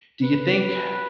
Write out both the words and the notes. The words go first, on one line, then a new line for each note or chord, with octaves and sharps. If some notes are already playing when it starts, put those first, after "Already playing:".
do you think, uh,
B4